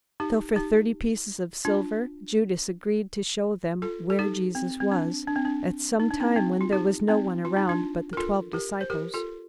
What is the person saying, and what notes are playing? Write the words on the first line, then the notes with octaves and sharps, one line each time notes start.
So for thirty pieces of silver Judas agreed to show them where Jesus was, at some time when there was no one around but the twelve disciples.
D#4 G4
D#4 G4
D4 F4
F4 A4
A4
D#4 G4
C4
C4
D4
D4
C4
D4
D#4
D4
C4 D#4
C4 D#4
F4
D#4 G4
C4 D#4
F4
D#4
D4 F4
A#4
F4 A4
G4 A#4
C5
G4 A#4
F4 A4